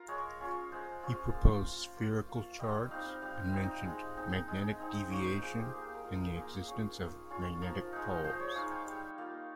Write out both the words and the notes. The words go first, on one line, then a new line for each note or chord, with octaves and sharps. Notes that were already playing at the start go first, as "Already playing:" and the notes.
He proposed spherical charts and mentioned magnetic deviation and the existence of magnetic poles.
Already playing: F4 A#4
G#3 C#5
C#4 F4
G#3 C5
C#4 F4
A#3
F4
A#3
F4
G3 D#5
C4 D#4 F5
G3 F5
C4 D#4
G#3
C4 D#4
G#3
C4 D#4
A#3 C#5
C5
F4 G#4
G4
A#3 G#4
A#4
F4
A#4
A#3 G#4
C#4 F4
A#3
C#4 F4
F3 A#4
G#3 D#4
F3 C5
C#5
G#3 D#4 F5
G5
G3
A#3 F4